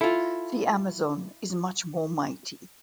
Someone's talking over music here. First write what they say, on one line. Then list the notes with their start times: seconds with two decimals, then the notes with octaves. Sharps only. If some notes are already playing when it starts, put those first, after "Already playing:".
The Amazon is much more mighty.
0.01 E4 F4 A4